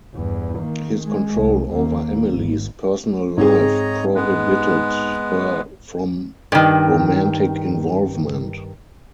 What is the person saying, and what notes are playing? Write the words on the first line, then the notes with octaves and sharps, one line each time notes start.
His control over Emily's personal life prohibited her from romantic involvement.
E2 G2
D#3 A#3
G#3
C2
D#2 A#3
G#1
G#2 C4 G#4 C#5 D#5 A#5
G#3 B3
G2 D#3